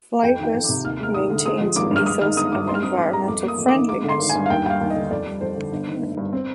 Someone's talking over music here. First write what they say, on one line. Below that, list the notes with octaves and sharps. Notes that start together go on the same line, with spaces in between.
Flightless maintains an ethos of environmental friendliness.
F2 G5
D#3 G5
F2
C3 D6
D#2 F6
G#3 F6
D#2 D#6
D3
G#3 D#6
F3
G#1 D6
G2 F6
G#3 D#6
D#3 F6
G1 D#6
G2 D6
D#4 C6
F6
C4 D#6
G#2 D6
G3 A#5
F2 D6
A#3 D#6
F2
D6
D#3
G#3 D6
D3
C6
G#1
G#5
G2
F5
D#2 G5
G3 G5
F5
D#2
D#5
D3
F2 D5
G3
F2 C5
D3
G1
D#3
G1
G2
C4